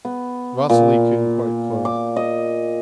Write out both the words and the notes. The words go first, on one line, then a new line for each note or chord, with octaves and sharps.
Vasily came quite close.
B3
A#2
D6
D#5